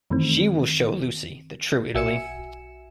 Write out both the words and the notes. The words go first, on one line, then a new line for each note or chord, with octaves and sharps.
She will show Lucy the true Italy.
F#2 D#3 E3 A3 C4
B1 F#4 E5 G#5 C#7 E7